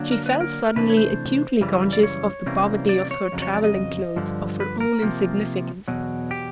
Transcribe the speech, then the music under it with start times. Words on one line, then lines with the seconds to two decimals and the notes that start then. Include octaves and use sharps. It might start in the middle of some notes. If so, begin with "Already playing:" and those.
She felt suddenly acutely conscious of the poverty of her travelling clothes, of her own insignificance.
Already playing: D3 F#3 A#3 D4
0.11 A#4
0.26 B4
0.40 A#4
0.76 C3 E3 A3 D4 B4
0.90 C#5
0.97 C5
1.61 F#2 C#3 E3 G3
1.93 D5
2.03 C#5
2.46 C3 E3 G3 A#3 C#4
2.89 D5
3.11 C#5
3.32 F2 C#3 F#3
3.42 C#5
3.53 D5
3.64 D#5
4.16 G2 D3 F3
4.60 B4
4.80 A#4
5.02 C3 F3 A#3
5.88 E2 B2 F#3
6.31 G4